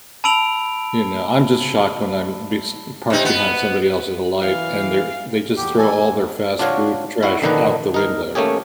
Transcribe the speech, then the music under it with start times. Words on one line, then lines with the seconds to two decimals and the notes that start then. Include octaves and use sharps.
You know, I'm just shocked when I'm bes parked behind somebody else's light, and they're they just throw all their fast food trash out the window.
0.24 A5 B5 E6 D7 F7 F#7
3.10 C3 D#4
3.25 B3
4.42 E3 F5
5.57 E2 G4
5.78 E3 G3 A4 G#5
5.94 E2 G2
6.59 D4 F4 F#4 C#5 F5
7.23 E4 F#4
7.42 A#1 D3 D#3 D4 D#4 B4
7.94 D#4 A#4
8.35 A3 A#3 C#4 G4 G#4